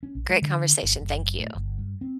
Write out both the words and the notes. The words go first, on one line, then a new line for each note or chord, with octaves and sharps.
Great conversation, thank you.
C#4
A#1
G#3
D3
G1
F#1
A2
G1
G2
C4